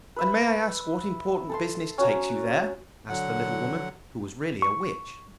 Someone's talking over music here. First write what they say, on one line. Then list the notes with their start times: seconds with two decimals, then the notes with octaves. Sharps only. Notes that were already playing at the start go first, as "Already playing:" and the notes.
'And may I ask what important business takes you there?' asked the little woman, who was really a witch.
0.16 B4 E5 B5
1.50 A4 A5 C6
1.98 C#4 F#4 A#5
3.09 D3 F#3 F#5
4.62 C#6